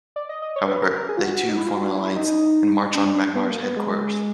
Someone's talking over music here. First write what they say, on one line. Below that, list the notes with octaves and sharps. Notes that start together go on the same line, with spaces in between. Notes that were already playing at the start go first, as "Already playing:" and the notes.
However, they too form an alliance, and march on Magmar's headquarters.
D5
D#5
D#5
C#5
B4
A#4
A#4
G#4
F4
F#4
D#4
E4
F4
F#4
E4
D#4
D4
D4
D4
B3
A#3
B3
G#3